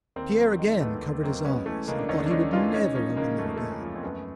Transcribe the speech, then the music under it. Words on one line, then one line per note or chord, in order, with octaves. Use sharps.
Pierre again covered his eyes and thought he would never open them again.
D#2 A#3 C4
F#3
D#3 G#3
D#2 A3 B3
D#2
F#3 A#3 C4
G#3 B3 C#4
E3 A3
C#3 G#3 A#3
D4
D#2 C#4 D#4
D4
G#3 C#4 D#4
E3 D#4 F4
G#3 C#4 D#4
F3 C#4 D#4
C#3 G#3 A#3
E2 A3
A#3
G#3 A3
G#3 A#3
F3
C4
F#2 A3 B3